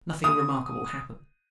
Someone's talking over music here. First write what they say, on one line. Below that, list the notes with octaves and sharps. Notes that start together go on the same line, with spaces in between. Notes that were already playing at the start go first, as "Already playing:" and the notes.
Nothing remarkable hapened.
D#6